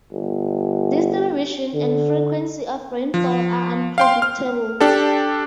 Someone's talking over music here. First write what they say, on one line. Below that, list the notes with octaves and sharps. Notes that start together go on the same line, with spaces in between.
Distribution and frequency of rainfall are unpredictable.
G1
D3
F3
F5 G5 C6
F6
D4 G4 A4